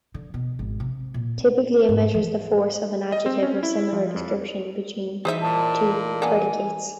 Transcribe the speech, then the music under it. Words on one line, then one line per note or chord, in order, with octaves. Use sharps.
Typically, it measures the force of an adjective or similar description between two predicates.
D3
B2
G#1
C3
A#2
C4
G#2
E3
D#5
C4
C#4
E4
F3
F2
E3 D#4 G#4 C5 E5
A#2 A5
A#3 B3 D4 G#5